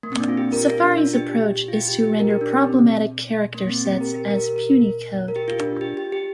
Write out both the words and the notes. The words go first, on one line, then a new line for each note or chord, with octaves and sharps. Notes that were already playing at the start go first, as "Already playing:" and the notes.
Safari's approach is to render problematic character sets as Punycode.
A#3
C4
D4
F4
G4
A#4
F4
D4
D4
G4
F4
G4
G4
G4
A#4
G4
D4
C4
A#3
C4
G4
A#4
G4
A#4
A#4
A#4
G4
F4
D4
G4
G4
G4